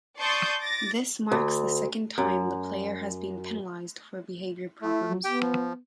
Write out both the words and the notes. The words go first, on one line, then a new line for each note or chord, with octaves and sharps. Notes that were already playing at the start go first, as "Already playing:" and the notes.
This marks the second time the player has been penalised for behaivour problems.
D5 A5 C6 C#6 D#6 G6
D6 A6 A#6
D2
F#2
A3 E4
F#3
B3 G4 G5
F3